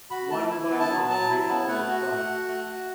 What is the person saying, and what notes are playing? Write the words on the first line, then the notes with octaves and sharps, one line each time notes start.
One by one they all decline.
F#4 B5
A3 A5
E4
B3
A5
F#3
F#3 A5
E4
B3
A3 F#5
F#4
A3
F#4
A3
F#4